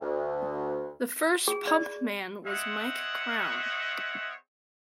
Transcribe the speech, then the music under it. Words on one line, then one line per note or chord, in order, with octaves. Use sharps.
The first pumpman was Mike Crown.
D2
G#4
D5
C4 G#4 C#5 D#5 E5 F#5